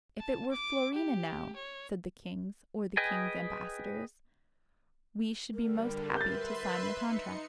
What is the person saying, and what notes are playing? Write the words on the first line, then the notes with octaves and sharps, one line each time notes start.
"If it were Florina, now," said the kings, or the kings' ambassadors, "we should be most happy to sign the contract."
A5
D6
G4
C#5
G#4 B4 D#5 G5 G#5
D3 G3 A#4
B4 E5 C6 G6 A6
D#4 C#7